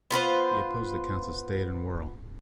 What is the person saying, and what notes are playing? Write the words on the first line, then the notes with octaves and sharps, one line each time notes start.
He opposed the counts of Stade and Werl.
B3 F4 B4 C5